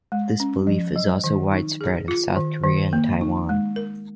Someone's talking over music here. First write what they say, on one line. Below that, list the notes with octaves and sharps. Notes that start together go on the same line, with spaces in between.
This belief is also widespread in South Korea and Taiwan.
G#3
C#4
F3
F#3
D#3
D#4
G#4
F4
D#3
D#3
A#3
D#4
G#3
A#4